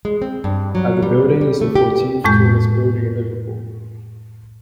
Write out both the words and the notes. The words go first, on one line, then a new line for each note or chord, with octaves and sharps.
At the building is the fourteenth tallest building in Liverpool.
G#3
C4
G2
F#3
G3
G3
A3
G4
F2 A2 G#3 G6